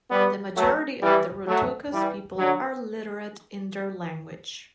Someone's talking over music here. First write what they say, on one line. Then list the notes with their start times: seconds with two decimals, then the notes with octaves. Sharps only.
The majority of the Rotokas people are literate in their language.
0.11 G3 B3
0.57 F#3 A3
1.03 E3 G3
1.47 F#3 A3
1.93 E3 G3
2.38 D3 F#3